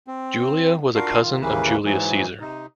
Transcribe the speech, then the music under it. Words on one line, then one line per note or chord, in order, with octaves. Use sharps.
Julia was a cousin of Julius Caesar.
C4
D4 F4 F#4 A#4 F5
D#3 F4
D#2 C#3 E3 A#3 B4
G#2 E3 F#3
C3 D#4